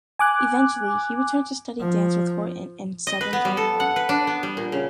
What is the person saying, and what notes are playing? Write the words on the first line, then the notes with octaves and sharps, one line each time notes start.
Eventually, he returned to study dance with Horton in southern California.
G#5 D6 F#6
F3
D#5
B4
B3
G3
A4
F#5
B4
D4
B3
G3
A#2
C#3